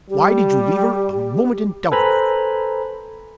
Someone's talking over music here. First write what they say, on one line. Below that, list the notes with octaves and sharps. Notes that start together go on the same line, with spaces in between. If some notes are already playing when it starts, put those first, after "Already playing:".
"Why did you leave her a moment in doubt about it?"
G3 G4
A4 B4 C5 G#5 A#5 B5